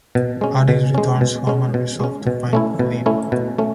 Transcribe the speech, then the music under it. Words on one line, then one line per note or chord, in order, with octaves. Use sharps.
Ary returns home and resolves to find Flynn.
B2
G#3 C#4
B2
G#3 C#4
B2
G#3 C#4
B2
G#3 C#4
B2
A3 C#4 E4
B2
A3 C#4 E4
B2
A3 C#4